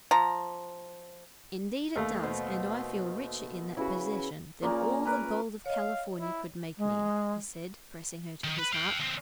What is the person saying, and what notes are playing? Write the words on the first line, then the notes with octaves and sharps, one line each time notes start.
"Indeed it does, and I feel richer in that possession than all the gold of California could make me," he said, pressing her to his heart.
F3 A#5
D#2 A3 F5
B2 C5
C#3 E4 F#4 B4
A#2 C#3 A#3
A#4 B4 A#5
C#5 D#5 F5
E4
G#3
D#3
B4
F5 G5
D#2 C4